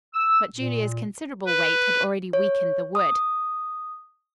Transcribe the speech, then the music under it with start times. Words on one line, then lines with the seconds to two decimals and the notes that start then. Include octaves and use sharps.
But Julia's considerable weight had already weakened the wood.
0.14 E6
0.54 A#2
1.46 B4
2.33 C#5
2.95 D#6